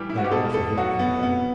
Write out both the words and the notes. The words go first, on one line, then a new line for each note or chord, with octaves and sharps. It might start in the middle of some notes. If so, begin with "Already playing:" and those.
They are often here for men.'
Already playing: A2 E3 G3 G4
E4
F#4
G4
B2 A4
A4
F#3 F#4
B3
C3 B3